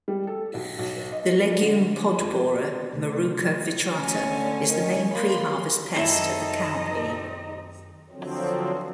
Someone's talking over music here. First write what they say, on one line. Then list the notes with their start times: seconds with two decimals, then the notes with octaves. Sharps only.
The legume pod borer, "Maruca vitrata," is the main pre-harvest pest of the cowpea.
0.08 G3
0.27 A4
0.54 B1
0.79 B1
1.12 D#5
1.44 D4
1.61 D3
2.19 F2
2.32 B4
2.93 C3 A3
3.89 D2 C#4 G#5
4.30 D3
4.69 D#3
5.14 A#3 B5 C6
5.96 F#2 D#3 C4 D#4 E4 A4 D#5 A#5
8.12 D3 F3 F#3 C4